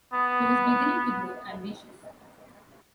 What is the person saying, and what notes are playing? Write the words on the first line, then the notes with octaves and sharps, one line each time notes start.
He was beginning to grow ambitious.
B3